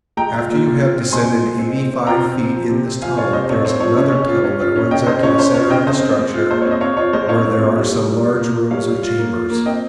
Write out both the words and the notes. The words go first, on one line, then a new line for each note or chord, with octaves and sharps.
After you have descended eighty-five feet in this tunnel there is another tunnel that runs up to the center of the structure where there are some large rooms or chambers.
G#3 G5 A#5
F4
A#2
F4
F4
C4
G#3 G#5 C6
A#2
G#3
C4
C4
C4
F4 G5 A#5
C4
C4
F3
C3
C4
F3 F5 G#5
F4 C#5 F5
C3 C5 D#5
C4 C#5
C4 C#5
F3 C#5
C#3 C#5
C#4
F4
C#4
F4
C#4
C#3 D#5 G5
C#3 C5 D#5
C#4 C#5
C#4 C5
F4 C#5
C#3 D#5 G5
C4 C5 D#5
C4
G#3
F4
A#2 C5
C4 C#5
D#5
C4 C#5 F5
F4 C#5
G#3 C5 D#5
C4 C#5 F5
C4
A#2
G3
G3
G3
F4
A#3
F4
G3 C#5 F5
G3
F4
A#3
F4
A#3
C4 D#5 G5